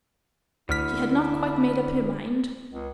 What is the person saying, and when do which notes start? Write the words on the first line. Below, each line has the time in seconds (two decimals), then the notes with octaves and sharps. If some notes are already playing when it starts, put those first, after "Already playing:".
She had not quite made up her mind.
0.69 D2 D3 E4 F6 B6
2.72 C#2